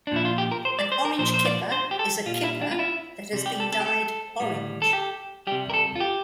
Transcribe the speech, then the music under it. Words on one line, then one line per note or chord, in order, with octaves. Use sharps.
An "orange kipper" is a kipper that has been dyed orange.
D4
A#2 F3 E4
F4
G4
A#4
C5
D5
C5
A#4
A#2 F3 C5
C5
D5
C5
G4
A4
A#2 G3 F4
F4
E4
D4
F4
E4
C3 G3
G4
A4
A4
G4
A4
A2 G3
A4
G4
C3 G3 G4
A#4
A4
F4
G4